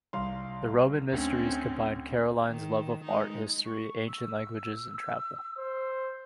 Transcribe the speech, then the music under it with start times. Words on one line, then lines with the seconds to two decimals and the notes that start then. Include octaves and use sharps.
"The Roman Mysteries" combine Caroline's love of art history, ancient languages and travel.
0.13 C2 F5 C6
1.12 D2 C4 C#4
2.47 D#3
3.04 G#3 D#4
3.65 C#6
4.08 E6
5.58 C5